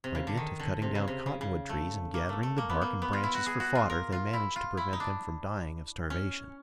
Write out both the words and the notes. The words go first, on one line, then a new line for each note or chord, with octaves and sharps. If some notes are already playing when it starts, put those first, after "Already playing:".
By dint of cutting down cottonwood trees and gathering the bark and branches for fodder, they managed to prevent them from dying of starvation.
C3
C#3
D3
D#3
D3
C3
C#3
C3
C#3
C#3
A3
A#3
A3
A3
A#3
B3
A#3
B3
F4
E4
F#4
G#4
F#4
F4
A#4
F4
E4
F4
E4
D#4
D4
C#4